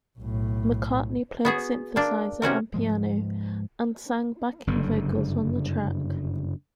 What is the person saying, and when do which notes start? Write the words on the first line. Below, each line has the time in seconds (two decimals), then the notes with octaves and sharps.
McCartney played synthesizer and piano, and sang backing vocals on the track.
0.19 B1 A2
1.45 B3 F#4 G#4
1.96 A#3 D4
2.42 C3 C#4 F#4 A#4
2.74 G#2 F3 G#3
4.67 F#1 G2 D3